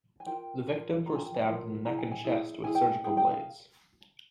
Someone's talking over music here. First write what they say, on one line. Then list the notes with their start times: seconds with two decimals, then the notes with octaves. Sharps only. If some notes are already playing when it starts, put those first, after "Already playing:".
The victims were stabbed in the neck and chest with surgical blades.
0.20 G#5
0.27 F4 A#4 G5
0.67 F4 A#4
1.06 F4 A#4 A#5
1.15 G#5
1.25 G5
1.35 G#5
1.46 F4 A#4
1.85 E4 G#4 A#5
1.98 G#5
2.12 G#5
2.24 E4 G#4
2.64 E4 G#4 G#5
2.75 G5
2.87 G#5
3.04 E4 G#4 G5
3.17 G5
3.31 F5